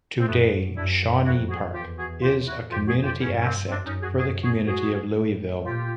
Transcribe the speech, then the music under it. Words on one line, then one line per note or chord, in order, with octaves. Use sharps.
Today, Shawnee Park is a community asset for the community of Louisville.
C4
F#2 A3 B3
F#2 D4 E4
F2 E4 F#4
F#4 G#4
E2 F4 G4
F#4 G#4
F4 G4
E4 F#4
F2 F4 G4
F#4 G#4
F4 G4
G2 B3 C#4
C#4
A#3 C4
F#2 C4 D4
C#4 D#4
F#4 G#4
F#4 G#4
F#4 G#4
F#4 G#4
A2
A#2 F4 G4